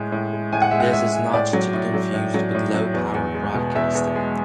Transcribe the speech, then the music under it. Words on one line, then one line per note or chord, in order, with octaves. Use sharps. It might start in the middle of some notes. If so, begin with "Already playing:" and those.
This is not to be confused with low-power broadcasting.
Already playing: A2 G#3
A2
G#3
A2 G#5
F#5
G#3 E5
F#5
A2 E5
G#3
A2 D5
F#3
A2
F#3
A2
F#3
A2
F#3
E2
E2
G#3
B2
E2 E5
E2
G#3